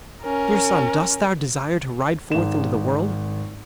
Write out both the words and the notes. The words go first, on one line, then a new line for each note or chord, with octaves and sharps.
Dear son, dost thou desire to ride forth into the world?'
C#4 A#4
G#1 E7